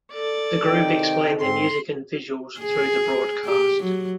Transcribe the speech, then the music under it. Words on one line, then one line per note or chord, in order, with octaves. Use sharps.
The group explained their music and visuals through the broadcast.
A4 D5
C3 D#3 D#4 G5
G#2 C4 C6
G#4
G4
F#3